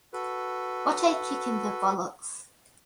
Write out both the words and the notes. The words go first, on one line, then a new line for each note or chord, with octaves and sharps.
What a kick in the bollocks.
F#4 A4 B4